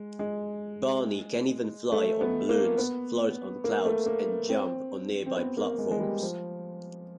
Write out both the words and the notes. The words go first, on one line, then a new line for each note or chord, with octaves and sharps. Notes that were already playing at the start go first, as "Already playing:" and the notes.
Barney can even fly on balloons, float on clouds, and jump on nearby platforms.
Already playing: G#3
G#3
A3
B3
A#3
B3
A#3
A3
A#3
C4
C4
B3
A#3
G#3
G#3
G3
F3